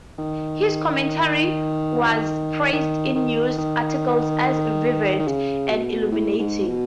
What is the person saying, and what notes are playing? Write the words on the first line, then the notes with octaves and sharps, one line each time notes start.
His commentary was praised in news articles as "vivid" and "illuminating".
D#3
D#3
D#3
D#3
D#3
C#3
B2
A2
G#2
B2